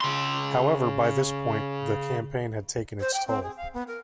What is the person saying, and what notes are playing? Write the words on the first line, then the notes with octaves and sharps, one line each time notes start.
However, by this point the campaign had taken its toll.
C#3 C6
C5
G5
C4
G#4
F5
B3
A#4